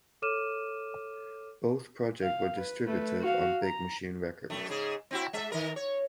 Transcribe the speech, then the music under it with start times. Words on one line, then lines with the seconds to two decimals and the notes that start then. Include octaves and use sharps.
Both projects were distributed on Big Machine Records.
0.22 A4 C#5 D6 F6 D#7 E7
2.22 F5
2.57 B4
2.87 A3 B4
3.21 F#4 F5
3.63 A#5
4.50 F#2 A3
4.69 G#2 C#3 G#4
5.11 C4 E4 F#4
5.33 G#3 E5
5.52 D#3 A#4
5.76 C#5